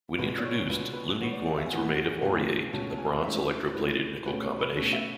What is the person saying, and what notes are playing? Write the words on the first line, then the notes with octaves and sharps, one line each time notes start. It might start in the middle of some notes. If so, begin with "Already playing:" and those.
When introduced, loonie coins were made of Aureate, a bronze-electroplated nickel combination.
C#2 B2 G#3 B4
D5
C#5
C#2 B2 G#3 B4
B4
A2 E3 B3 C#5
D5
D5
E5
G#5
A2 E3 B3 F#5
F#5
C#2 B2 A3 C#4 G#5
C#2 B2 A3 C#4 A5
A5
G#5
A2 G#3 C#4 E5
A2 G#3 C#4 B4
B2 A3 C#4 B4
C#5
B4
B2 A3 C#4 C#5
E5